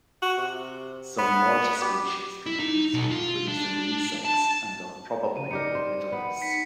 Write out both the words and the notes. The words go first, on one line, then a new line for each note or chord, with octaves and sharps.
Some larger species can consume fruits and insects, and are probably omnivorous.
F#4
C3
B3
G4
E4
D#4
B1
F4
D4
A5
C#3 D#7
D#4 G4 A#4 D5 C#7
C5
B3
D#4 B6 C#7